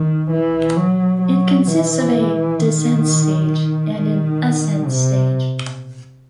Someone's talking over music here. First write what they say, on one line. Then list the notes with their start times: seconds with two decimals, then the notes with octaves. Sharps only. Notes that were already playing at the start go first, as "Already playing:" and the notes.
It consisted of a "descent stage" and an "ascent stage".
Already playing: D#3
0.31 E3
0.76 F#3
1.22 F#3
1.67 E3
2.58 D#3
3.95 D#3
4.86 C3